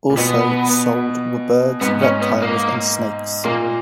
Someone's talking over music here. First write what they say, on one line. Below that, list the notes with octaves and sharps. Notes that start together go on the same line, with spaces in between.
Also sold were birds, reptiles, and snakes.
A#2
B2 B3
G#2 B3
C#4
B3
A#3
A#2 A#3